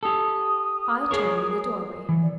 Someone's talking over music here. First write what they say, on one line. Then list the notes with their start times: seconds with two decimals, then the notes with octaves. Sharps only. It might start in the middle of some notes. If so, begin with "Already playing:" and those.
I turned in the doorway.
0.03 G4 A4 D#6
1.11 G#4 A#4 C#5
2.09 E3
2.22 D5